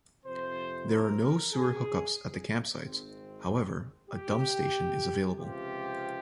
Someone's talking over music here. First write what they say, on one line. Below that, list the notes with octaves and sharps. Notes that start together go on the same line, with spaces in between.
There are no sewer hookups at the campsites; however, a dump station is available.
F2 C3 F3 C5
A#4
G#4
G#1 G#2 D#3 G#3 C4
G4
C#2 C3 F3 C4 F4 G4